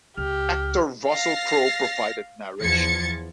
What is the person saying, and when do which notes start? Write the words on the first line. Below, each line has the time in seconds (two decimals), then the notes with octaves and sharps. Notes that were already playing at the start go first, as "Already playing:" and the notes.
Actor Russell Crowe provided narration.
0.18 C#2 G4 F6
1.08 F5 F6 A6 A#6 C7
2.61 E2 F3 G#6 A6 C#7